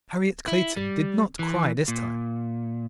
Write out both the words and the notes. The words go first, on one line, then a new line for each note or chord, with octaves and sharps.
Harriet Clayton did not cry this time.
E4
G3
E3
A#2